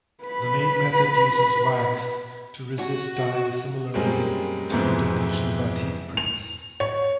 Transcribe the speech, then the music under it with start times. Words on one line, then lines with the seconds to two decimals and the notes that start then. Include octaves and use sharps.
The main method uses wax to resist dyeing similarly to Indonesian batik prints.
0.24 B4 B5
2.79 F#4
3.94 F#2 G3 G#3 A#3 C4
4.69 F2 G#2 E3 A3 B3 C4
6.17 F7
6.80 C#5